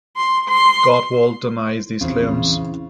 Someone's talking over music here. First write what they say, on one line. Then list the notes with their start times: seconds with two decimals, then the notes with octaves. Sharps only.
Gottwald denies these claims.
0.17 C6
0.48 C6
2.01 A#1 E2 C#3 E3 C4 C#4 F4